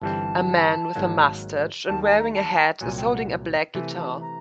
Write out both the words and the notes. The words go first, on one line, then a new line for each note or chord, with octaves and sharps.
A man with a mustache and wearing a hat is holding a black guitar.
G1 G2 E3 G3 C4 A5
G#1 G#2 D#3 F#3 A#3
D#2 D#3 G3 A5
A5
A#5
A5
C2 A#2 F#3 G#5
G5
F#5
C3 E3 A3 G#5
A5
A#5